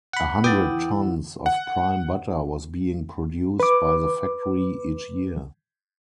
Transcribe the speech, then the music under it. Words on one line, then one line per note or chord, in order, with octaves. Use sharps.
A hundred tons of prime butter was being produced by the factory each year.
F#5 B5
E4 B4 F#5 G5 B5 D6 D#6 A6
E2
F#5
B4 D6